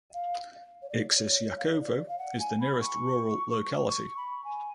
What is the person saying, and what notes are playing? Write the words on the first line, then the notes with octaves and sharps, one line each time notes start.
Iksisyakovo is the nearest rural locality.
F5
C#5
D5
D5
C#5
F5
D5
C#5
D5
D5
F5
F#5
G#5
B5
C#6
C#6
B5
G#5